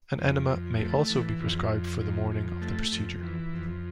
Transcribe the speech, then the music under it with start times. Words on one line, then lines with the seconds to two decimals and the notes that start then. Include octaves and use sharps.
An enema may also be prescribed for the morning of the procedure.
0.19 F2
0.49 F2
0.79 A3
1.10 E3
1.40 F2
1.71 F2
2.01 F2
2.32 F2
2.61 A3
2.92 F2
3.23 E3
3.53 F2